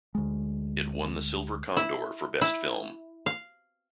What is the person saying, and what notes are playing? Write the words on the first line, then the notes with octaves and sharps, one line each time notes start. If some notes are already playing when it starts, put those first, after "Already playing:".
It won the Silver Condor for Best Film.
D2 G#3
E4
E4
F5